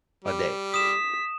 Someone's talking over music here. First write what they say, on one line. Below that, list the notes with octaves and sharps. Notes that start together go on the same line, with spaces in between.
a day."
G3
D#6 B6 E7